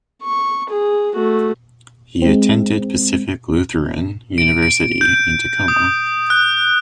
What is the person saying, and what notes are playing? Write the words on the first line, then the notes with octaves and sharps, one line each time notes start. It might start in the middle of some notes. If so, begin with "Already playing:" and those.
He attended Pacific Lutheran University in Tacoma.
C#6
G#4
A3 F#4
G#3 C4
D7
D7
G6
D#6
F#6